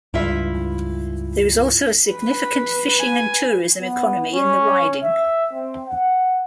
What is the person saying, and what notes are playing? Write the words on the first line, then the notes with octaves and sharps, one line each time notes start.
There is also a significant fishing and tourism economy in the riding.
C#2 G2 E4 F4 E5
B4
G#5
B3
C#4
E5
C4
F#5